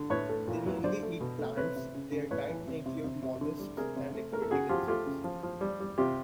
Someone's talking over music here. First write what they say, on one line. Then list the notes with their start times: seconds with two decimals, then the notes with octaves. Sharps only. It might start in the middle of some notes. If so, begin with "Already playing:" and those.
They mainly eat plants; their diet may include molluscs and aquatic insects.
Already playing: D3
0.10 A2 B4 C#5
0.29 A3
0.47 A#2
0.66 F#3
0.84 D3 C5 D5
1.03 A3
1.21 B2
1.39 A3
1.57 C3 B4 C#5
1.76 C3
1.95 C#3
2.12 C#3
2.31 A2 B4 C#5
2.49 E3
2.67 C3
2.86 C3
3.04 C3
3.22 C3
3.41 D3
3.59 G3
3.77 C3 G#4 A#4
3.96 C3
4.15 A3
4.32 A3 A#4
4.42 A4
4.51 C#3 F#4 G#4
4.69 F3 F4 G4
4.88 A3 F4 G4
5.06 C#3
5.24 F3
5.43 F3
5.61 G3
5.80 G3
5.98 C3 F4 G4